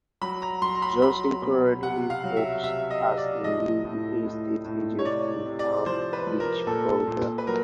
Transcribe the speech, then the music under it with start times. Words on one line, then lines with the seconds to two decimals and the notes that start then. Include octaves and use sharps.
Johnson currently works as a real estate agent in Palm Beach, Florida.
0.21 F#3 B5
0.42 A#5
0.62 F#3 C6
0.75 A#5
0.82 B5
1.02 F#3 B5
1.43 B2
1.83 C3 F#5
2.10 F5
2.23 F#3
2.37 E5
2.64 C3 E5
2.90 D#5
3.04 C3
3.17 D5
3.44 F3 D#5
3.85 A2
4.25 A2
4.65 A2
4.99 C#5
5.05 C3 D5
5.46 C3
5.59 D5
5.86 F3 C5
6.13 B4
6.27 F3
6.40 A#4
6.67 A#2 A4
7.07 A#2
7.38 B4
7.47 F#3 A#4